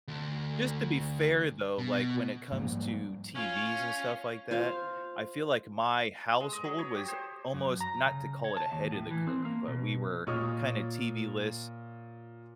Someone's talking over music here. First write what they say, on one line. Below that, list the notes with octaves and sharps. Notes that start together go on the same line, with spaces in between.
just to be fair, though, like, when it comes to TVs and stuff like that, I feel like my household was almost, not to call it ahead of the curve, but we were kinda TV-less
D2
B2
G#2 F3 G3 A#3
C#4 F4 C#5
F4 C5 F5
G#3
D#5
F#3
C#5
G4
C5
F#2
A#5
C#3
C#5
A5
D#2
A2
E3
C4
A#3
B2
A#2 C#5 D#5 C#6 D#6 F6